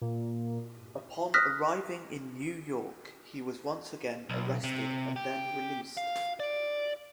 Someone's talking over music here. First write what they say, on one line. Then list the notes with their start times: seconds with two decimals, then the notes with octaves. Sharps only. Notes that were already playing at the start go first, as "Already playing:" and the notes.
Upon arriving in New York, he was once again arrested and then released.
0.02 A#2
1.34 D#6 F6 F#6 A#6 B6
4.30 B1
4.64 C3
5.16 G4
5.97 F5
6.40 D5